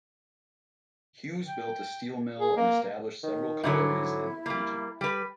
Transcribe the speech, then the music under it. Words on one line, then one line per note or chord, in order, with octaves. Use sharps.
Hughes built a steel mill and established several collieries in the region.
G5
G#4
A#3
D#3
G#2 D3 F#3 E4
G3 A#3
G3 B4